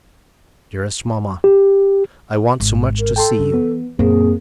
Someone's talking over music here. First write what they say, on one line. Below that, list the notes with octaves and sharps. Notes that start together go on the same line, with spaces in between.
Dearest Mamma:--I want so much to see you.
G4
G#1
A#4
A4 G5 A5 C6
C#3 E3
B3
F#2 A#2 D#3 A#3 C4 G#4